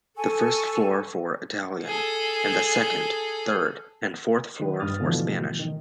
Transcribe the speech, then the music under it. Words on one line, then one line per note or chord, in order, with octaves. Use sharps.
The first floor for Italian, and the second, third, and fourth floor for Spanish.
A4 G#5 C#6
G#4 A4
D#3 B4
G2 B4 D#6 F6 A6
G#2 B2 D3 E3 F3 A3
D#3